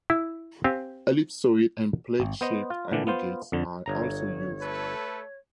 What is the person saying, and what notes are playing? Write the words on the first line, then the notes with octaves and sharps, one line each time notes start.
Ellipsoid and plate-shaped aggregates are also used.
E4
C4 G4 F5 G#5
G#1
B3 C5 D#5
F4
A#2 D3 E3 D4
B3 F4 C5
F2 D3
G1 C#5 A#5
A3 A4 B4